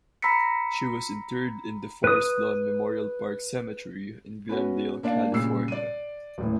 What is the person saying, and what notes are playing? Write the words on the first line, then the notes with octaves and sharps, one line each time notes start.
She was interred in the Forest Lawn Memorial Park Cemetery in Glendale, California.
A#5 B5 E6 A#6 B6 C#7
B4 D#6
B3 C#4 F#4
A#3 D4 D5 F5
A#2 C#3 G3 E6 C7
D5 D#7
D#1 A2